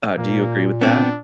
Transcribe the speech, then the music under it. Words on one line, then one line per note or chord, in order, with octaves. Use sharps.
Uh, do you agree with that?
A#2 A#3
B3 C4 D4